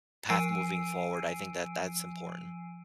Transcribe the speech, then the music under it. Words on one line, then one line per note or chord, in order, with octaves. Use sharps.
path moving forward, I think that that's important.
F3 G#5 E6 C7 D7 D#7